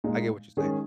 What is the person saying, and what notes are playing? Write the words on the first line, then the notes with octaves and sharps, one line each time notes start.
I get what you're saying.
A#2 G#3 D#4
D#3 G#3 C#4 G#4